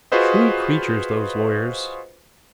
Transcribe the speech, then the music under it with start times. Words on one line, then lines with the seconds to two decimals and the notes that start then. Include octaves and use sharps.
Shrewd creatures, those lawyers.
0.12 F4 F#4 G#4 B4 C5 D#5